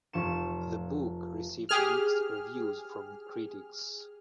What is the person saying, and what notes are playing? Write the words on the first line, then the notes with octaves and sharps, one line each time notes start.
The book received mixed reviews from critics.
F1 F3 C#6 E7
G4 G#4 F6